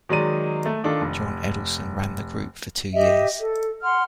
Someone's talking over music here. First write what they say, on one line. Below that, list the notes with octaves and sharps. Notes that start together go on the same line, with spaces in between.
John Edelson ran the group for two years.
D#3 F#3 G#3 D5 D#7
A3
D#3 D4 F4 A4
F1
G4 D#5 E5
A4
F#5 C6 F6